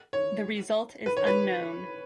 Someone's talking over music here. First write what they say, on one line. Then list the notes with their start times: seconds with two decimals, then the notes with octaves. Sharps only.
The result is unknown.
0.13 C#5
1.06 B4
1.17 C#5
1.27 B4